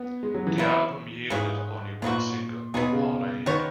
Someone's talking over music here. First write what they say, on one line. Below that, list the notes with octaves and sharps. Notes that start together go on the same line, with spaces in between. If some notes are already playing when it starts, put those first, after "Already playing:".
The album yielded only one single, "All I Need".
Already playing: B3
G#3
F#3
E3
F#3 B3 E4
G#2 E3 A#3 C#4 G#4
A#2 D#3 F#3 B3 F#4
B2 F#3 B3 D#4 G#4
C#3
D#3 B3 F#4 C#5